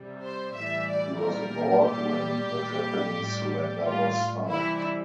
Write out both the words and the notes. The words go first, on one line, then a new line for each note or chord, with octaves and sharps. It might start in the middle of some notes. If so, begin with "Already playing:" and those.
He was aboard when the Japanese surrender was signed.
Already playing: C3 G3
C5
A2 E3 G3 E5
D5
A#2 G3 A#4
A#2 G3 G4
A#2 G3
A2 G3
A2 G3 F4
C3 E3 G3 E4